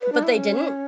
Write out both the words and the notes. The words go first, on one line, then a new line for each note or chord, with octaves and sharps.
But they didn't?
B4
D4
E4
C#4